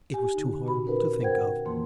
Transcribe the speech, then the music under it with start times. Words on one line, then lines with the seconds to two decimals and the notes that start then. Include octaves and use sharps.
It was too horrible to think of.
0.12 G4 G#5
0.34 D3 D#4
0.65 A#2 F#4 B5
0.85 C#4 D#4 A#4 B4
1.21 A#4 C5 F#5 G5 G#6
1.65 F2 D#3 E3 A#3 C6